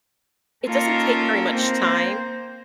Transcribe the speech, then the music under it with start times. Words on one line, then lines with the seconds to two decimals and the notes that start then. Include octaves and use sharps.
it doesn't take very much time,
0.66 A#3 C#4 D#4 F4 A4 A#4
1.52 A#3 C4 C5